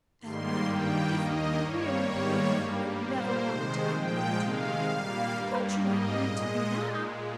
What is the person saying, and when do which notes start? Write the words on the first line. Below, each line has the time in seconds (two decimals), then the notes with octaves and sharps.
"Elmer--if you really believe I never wanted to act mean to you, don't you act mean to me now!"
0.20 G#2 D#3 G3 A#3 C6
0.66 G2 D#3 G3 A#3 G5
1.12 D#2 D#3 A#3 D#5
1.59 G2 G3 A#3 C#5
2.05 G#2 D#3 G3 A#3
2.52 G2 G3 A#3
2.98 A#2 G3 A#3 C5
3.45 C3 D#3 G#3
3.91 A#2 F3 G#3 G5
4.38 C3 D#3 G#3 F5
4.85 A#2 G3 A#3
5.31 G2 G3 A#3
5.77 G#2 G3 A#3 D#5
6.23 A#2 G#3
6.69 A#2 G#3